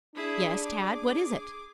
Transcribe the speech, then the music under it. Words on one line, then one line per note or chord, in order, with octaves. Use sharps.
"Yes, Tad; what is it?"
D4 E4 G#4
G#4 D6